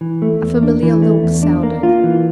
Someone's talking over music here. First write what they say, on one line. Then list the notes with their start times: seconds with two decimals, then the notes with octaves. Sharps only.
A familiar lilt sounded.
0.01 E3
0.22 A3
0.41 E2
0.63 D4
0.83 E3
1.02 A3
1.23 E2
1.43 D4
1.63 A#3
1.83 F4
2.04 E3